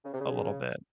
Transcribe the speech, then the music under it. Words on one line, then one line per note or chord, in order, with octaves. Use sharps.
a little bit,
C#3
C3
C#3